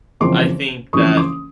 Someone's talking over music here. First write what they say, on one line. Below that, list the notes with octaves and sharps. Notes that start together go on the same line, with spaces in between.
I think that,
F#1 F2 C#3 E3 G#3 C6 D6
F#1 F2 C#3 E3 G#3 C#6 D#6
C6 D6